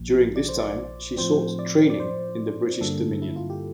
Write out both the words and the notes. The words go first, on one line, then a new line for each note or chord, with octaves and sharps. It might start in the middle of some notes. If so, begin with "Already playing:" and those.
During this time she "sought training in the 'British Dominion'".
Already playing: A#1 A#2 F3
D5
C5
D5
A2 F3 C4 C5
D5
D5
C5
G2 D3 G3 A#3 A4
E4
F4
G4